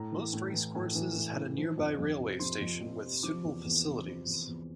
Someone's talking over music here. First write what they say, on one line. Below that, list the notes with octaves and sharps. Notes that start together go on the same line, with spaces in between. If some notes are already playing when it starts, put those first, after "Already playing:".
Most racecourses had a nearby railway station with suitable facilities.
Already playing: A2 A#5
E3
A2
E3
A2
E3
A2
E3
F3
F2
F2
C3
F3 C6
F2
F2
C3
F3 D6
E2
E2
C3
F3
E2
E2